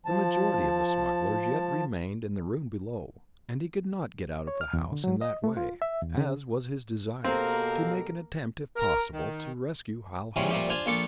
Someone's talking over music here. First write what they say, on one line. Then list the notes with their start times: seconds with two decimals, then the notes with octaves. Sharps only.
The majority of the smugglers yet remained in the room below, and he could not get out of the house in that way, as was his desire, to make an attempt if possible to rescue Hal Hartly.
0.06 F3 A5
4.48 C#5
4.61 F6
4.73 E2
4.92 D3
5.04 F#3
5.21 D#5
5.44 A3
5.57 F4
5.82 E5
6.02 E2
6.18 C#3
7.24 B2 A#3 C4 G4 A4 A#4 F5
8.76 A#4
9.13 D#3
10.36 C#3 E3 F3 G3 G#3 C#4
10.50 A#2 F3 G3 A3 G4
10.69 D4 F4 C5 F5 G#5
10.86 A#1 A#2 F4 A4 C#6 D6